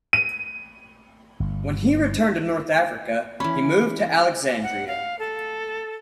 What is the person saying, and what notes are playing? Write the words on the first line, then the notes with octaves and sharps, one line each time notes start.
When he returned to North Africa, he moved to Alexandria.
D#7
G1
E3 C#4 B5
F#5
F5
A4